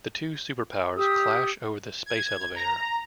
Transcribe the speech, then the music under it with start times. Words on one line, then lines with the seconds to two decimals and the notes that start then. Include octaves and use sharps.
The two superpowers clash over the space elevator.
0.96 G4 D#6 E6
2.06 G#6
2.56 A#5